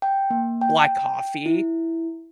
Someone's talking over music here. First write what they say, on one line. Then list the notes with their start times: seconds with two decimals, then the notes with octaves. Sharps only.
black coffee,
0.02 G5
0.30 A#3
0.61 G5
1.46 E4